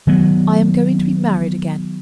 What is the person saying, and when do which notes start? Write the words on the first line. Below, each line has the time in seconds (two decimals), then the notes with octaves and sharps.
I am going to be married again.
0.07 D#3 F#3 B3